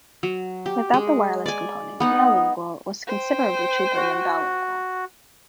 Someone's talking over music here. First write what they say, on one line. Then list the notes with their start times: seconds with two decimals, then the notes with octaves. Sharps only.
Without the wireless component, Meowlingual was considerably cheaper than BowLingual.
0.23 F#3
0.66 G4
0.94 G#3
1.46 D5 G#5
2.00 B3 D#4 F#5
3.07 C5 G5
3.97 F#4